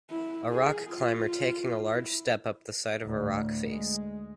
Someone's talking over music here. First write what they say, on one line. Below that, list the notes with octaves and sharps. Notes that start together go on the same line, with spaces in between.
A rock climber taking a large step up the side of a rock face.
E4
G#4
F4
E4
D2 A2
G#3